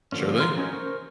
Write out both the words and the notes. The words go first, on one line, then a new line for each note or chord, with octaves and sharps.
Sure thing.
D3 F3 A#3 C#4
A#5 C6 F6
F#3 C#4 D#4
A#4 C5 C#6